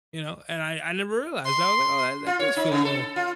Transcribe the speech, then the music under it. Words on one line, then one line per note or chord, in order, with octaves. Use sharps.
You know? And I I never realized. I was like, "Oh, that does feel a li'l
C6
F4
C#5
D#4
C#3
A4
F4